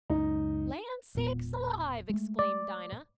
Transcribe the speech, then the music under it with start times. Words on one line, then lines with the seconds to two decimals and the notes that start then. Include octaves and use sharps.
"Land sakes alive!" exclaimed Dinah.
0.10 C#2 F#2 D#4
1.15 E1 A#2 B3
2.09 G#3 A3
2.39 D5